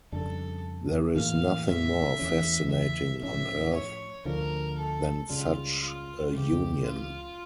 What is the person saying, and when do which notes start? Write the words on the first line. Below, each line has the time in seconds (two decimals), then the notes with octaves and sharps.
There is nothing more fascinating on earth than such a union.
0.12 F2 C#3 G3 D4 A4
1.15 A2 E3 A#3 F5
1.67 E5
2.19 E2 E3 A3 C#4
2.70 E5
3.23 A2 F3 C#4 E5
3.74 C#5
4.25 D2 D3 F3 A#4
4.77 A4
5.29 C#2 C#3 G3 F4
5.81 F4
6.33 C#2 C#3 E3 G4
6.84 F4